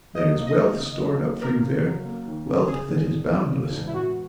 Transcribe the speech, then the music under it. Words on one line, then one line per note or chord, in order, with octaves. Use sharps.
There is wealth stored up for you there--wealth that is boundless!
F#3 D#5
A#3
D#5
D#2
C#3
F#3
A#3
D#2 A#4
C#3
F#3
A#3
D#2
C#3
C#3 G#4
E1
E1
E2
C#3
E1
E4
E1 F#4